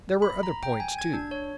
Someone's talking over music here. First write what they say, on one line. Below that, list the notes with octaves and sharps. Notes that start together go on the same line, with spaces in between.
There were other points, too.
B5
A#5
G5
G#5
G#6
D4
C#5